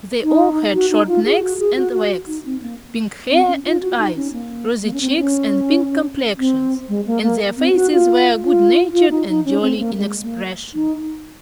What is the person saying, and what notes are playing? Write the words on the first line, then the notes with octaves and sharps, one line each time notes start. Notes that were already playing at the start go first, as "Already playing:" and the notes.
They all had short necks and legs, pink hair and eyes, rosy cheeks and pink complexions, and their faces were good-natured and jolly in expression.
D#4
F#4
D#4
F4
G#4
F#4
G#4
F#4
F#4
D#4
C4
A#3
C4
C#4
F4
F#4
D#4
C#4
A#3
A#3
C#4
C4
C#4
C4
G#3
A#3
A#3
C4
F#4
F4
F4
F4
D#4
D#4
C#4
C4
A#3
G#3
A#3
D#4